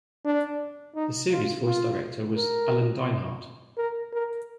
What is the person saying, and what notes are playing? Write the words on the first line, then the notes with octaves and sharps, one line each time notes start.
The series' voice director was Alan Dinehart.
D4
D#4
F4
F4
A#4
A#4
A#4